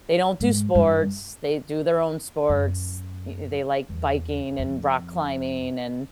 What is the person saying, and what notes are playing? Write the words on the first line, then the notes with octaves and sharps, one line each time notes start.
they don't do sports. They do their own sports. E eh, they like biking and rock climbing and,
G#2
G2
F#2
E2
F2